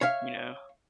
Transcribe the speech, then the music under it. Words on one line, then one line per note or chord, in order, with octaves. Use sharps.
You know?
C#5 E5 F5